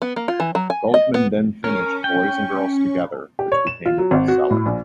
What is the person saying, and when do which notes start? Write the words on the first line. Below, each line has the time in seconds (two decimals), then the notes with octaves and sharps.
Goldman then finished "Boys and Girls Together" which became a best seller.
0.02 B3
0.16 A#3
0.28 F4
0.40 E3
0.55 F#3
0.70 G#5
0.94 D#5
1.14 B3
1.64 C#4 A#4
2.04 G5
3.39 G4
3.52 C#5
3.67 E7
3.86 F4
3.98 F#3
4.11 G#1
4.28 F#4
4.51 A2
4.66 A#1